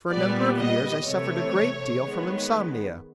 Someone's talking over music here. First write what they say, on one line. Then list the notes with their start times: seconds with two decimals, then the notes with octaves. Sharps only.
For a number of years I suffered a great deal from insomnia.
0.11 A#2 G3 B3 D5
0.59 D#5
1.06 C3 E3 A3 C#5
2.01 D#3 G#3 B3